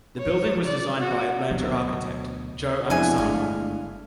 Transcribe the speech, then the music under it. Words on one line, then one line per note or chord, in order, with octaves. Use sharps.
The building was designed by Atlanta architect, Joe Amisano.
C#5
D5
F#4
D2 B2 F#3
F2 B2 G#3 D4 E4 G#5
G1 G#3 A3 F5